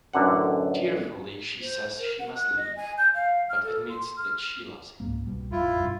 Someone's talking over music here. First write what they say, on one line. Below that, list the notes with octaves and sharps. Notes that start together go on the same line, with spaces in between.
Tearfully she says she must leave, but admits that she loves him.
A1 F#2 D3 F#5
C5
A#4
F#5
F#6
D#5
G#5
G6
F5
F6
A4
C6
F6
C#2 G#2 A#3
C2 B2 G3
A1 F2 E4 F4
G2 B2